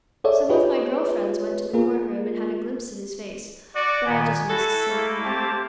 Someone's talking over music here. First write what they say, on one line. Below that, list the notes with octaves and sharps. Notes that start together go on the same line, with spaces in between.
Some of my girl friends went to the court-room and had a glimpse of his face, but I just missed seeing him.
G#4 A4 C#5 D5 E5
F4 G4 G#4 B4 C#5 D#5
A#3 F4 G#4 A#4
F#4 D5
A#2 D#3 B3 G#5
E4 F#4 A4
A3 A#3
C4 G4 C5 A5